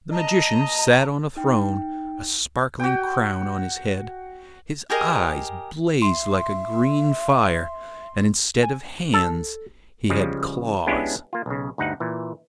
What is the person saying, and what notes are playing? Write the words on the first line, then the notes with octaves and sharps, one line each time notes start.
The Magician sat on a throne, a sparkling crown on his head; his eyes blazed like a green fire, and instead of hands he had claws.
A#2 D#5 A5 A#5
D#4 G5
F#4 G5
G4 G#4 A#4 D#5
E5 C6
G#5
A4
C#3 F3 G3 G#3
G#3 B3 C#4 D4 E4 G4
A#3 F4
B1 C#3
D2 G2 D#4 F#5
A#2 E3